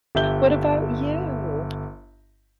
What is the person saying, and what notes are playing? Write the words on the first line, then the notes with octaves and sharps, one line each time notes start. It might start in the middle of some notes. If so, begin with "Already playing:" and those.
What about you?
G1 G4 E5 G6 G7